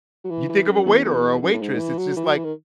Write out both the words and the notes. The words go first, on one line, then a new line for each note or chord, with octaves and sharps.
you think of a waiter or a waitress, it's just, like
F#3
E3
E3
F#2
E2
E2
F#2
A2
G#2
E3
F#3
E3
F#3
E3
D#3